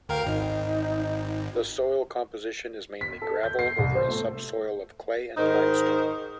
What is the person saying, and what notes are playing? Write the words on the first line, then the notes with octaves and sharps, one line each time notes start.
The soil composition is mainly gravel over a subsoil of clay and limestone.
D2 A#4 F5 G5
G#1 D#4
B6
A4
G6
C7
C2
C5
A3
G#2 D#3 D#4 A#4 C5